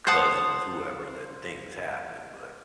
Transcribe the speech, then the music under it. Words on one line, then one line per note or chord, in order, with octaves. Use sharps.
cousins, whoever that things happen but
C5 F#5 A5 D#6